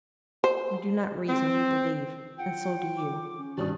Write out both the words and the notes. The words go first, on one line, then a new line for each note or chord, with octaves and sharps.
We do not reason--we believe; and so do you.
C5
C4
F4 F#5 G5
D6
C#4
G#1 G2 F#4 D5 D#6